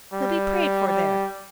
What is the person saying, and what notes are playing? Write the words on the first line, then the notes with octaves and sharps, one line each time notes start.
He'll be prayed for there.
G3
G3